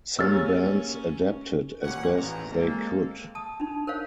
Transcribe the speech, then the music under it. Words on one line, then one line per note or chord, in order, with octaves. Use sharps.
Some bands adapted as best they could.
A#3 C#4 G4 G#4 C#5 E6 F6 A6
A1 D#2 A#2 G3 C#4 F#5
A1 E2 A#5
G#3 A#3 C4 A4
A5 D#6
D4 D#4
A#4 C5 C#5 F5